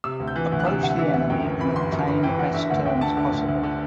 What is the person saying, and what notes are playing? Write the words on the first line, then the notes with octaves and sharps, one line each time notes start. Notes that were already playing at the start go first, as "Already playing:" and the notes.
Approach the enemy and obtain the best terms possible.
C3 E6
D2
G6
E3 F#6
D2
F#6
C3 E6
D2 F#5
E3 E5
D2 F#5
F#2 G5
G1
E3 B5
G1 C6
F#2 C6
G1 B5
E3 G5
G1 F#5
D3 E5
D2 F#5
D2 G5
D3 A5
D3
D2
D2
D3